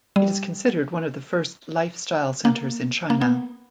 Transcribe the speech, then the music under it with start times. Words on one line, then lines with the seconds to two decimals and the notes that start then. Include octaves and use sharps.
It is considered one of the first lifestyle centers in China.
0.16 G3
2.45 A#3
3.10 A#3
3.21 B3